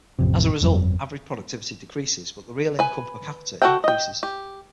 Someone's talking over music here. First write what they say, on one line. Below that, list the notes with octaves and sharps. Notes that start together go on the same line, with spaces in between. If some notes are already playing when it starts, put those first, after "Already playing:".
As a result, average productivity decreases but the real income per capita increases.
A1 F2 C3
G1 F2 F#3
B4 G#5
F#4 G#4 A4 F#5 G5
D#5 G5
G4